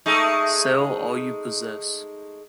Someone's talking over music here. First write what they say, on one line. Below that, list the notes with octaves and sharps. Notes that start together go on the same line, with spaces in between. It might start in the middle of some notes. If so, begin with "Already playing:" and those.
Sell all you possess.
G#3 A3 D#4